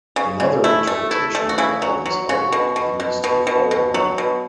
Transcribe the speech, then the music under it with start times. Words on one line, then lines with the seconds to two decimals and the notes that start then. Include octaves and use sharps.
Another interpretation of the album's artwork alludes to the fall of Rome.
0.16 C#3
0.40 C#3
0.64 A3 E4
0.87 A3
1.11 A3 E4
1.35 A3
1.49 F#4
1.58 C#3 E4
1.82 F#3
2.06 F#3
2.29 C#3 F#4
2.52 B2
2.76 B2
3.00 B2
3.24 B2
3.47 B2
3.71 B2
3.94 F#3
4.18 B2